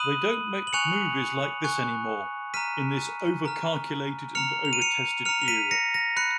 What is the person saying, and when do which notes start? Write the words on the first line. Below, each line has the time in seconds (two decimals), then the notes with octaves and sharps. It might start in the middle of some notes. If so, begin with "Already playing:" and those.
They don't make movies like this anymore, in this overcalculated and overtested era.
Already playing: B5 D#6 F#6 D#7 F#7
0.67 F#7
0.73 G#5 C#6 F#6 C#7 F7
1.64 G#5 C#6 F#6
2.54 A#5 F6 B6 D#7
3.45 A#5 F6
4.35 A#5 F6 C#7 F7
4.65 F7
4.73 D#7
4.81 C#7 F7
5.25 A#5 F6 C#7 F7
5.41 F7
5.48 B6 D#7
5.71 A#6 C#7
5.94 A#6
6.16 B5 F#6 C#7